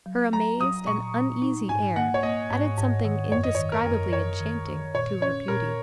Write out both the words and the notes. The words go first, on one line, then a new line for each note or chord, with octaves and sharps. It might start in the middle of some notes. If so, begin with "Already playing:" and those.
Her amazed and uneasy air added something indescribably enchanting to her beauty.
F#3
F#3 A#5
F#3 D#6
A#2 C#6
A#2
D#4
G#2 G#5
A#3 F#5
C#5
A#3 D#5
G#2
G#2
D#3
F#2 C#5
D#5
D#3 C#5
A#4
F#2
F#2 C#5
D#3
D#3
A#2 C#5
C#4 C#5
A#2 A#4